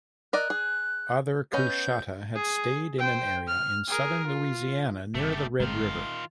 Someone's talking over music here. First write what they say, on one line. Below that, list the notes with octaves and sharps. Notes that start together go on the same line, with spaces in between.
Other Coushatta had stayed in an area in southern Louisiana near the Red River.
A#4 D5 D#5 F#6
G#4
B3 C#4 D#5 G6
G#4
C5 G5
F6
G#4 A#4
F4
G1 C3 A3 G4
G1 D#3 G#3 C4 F4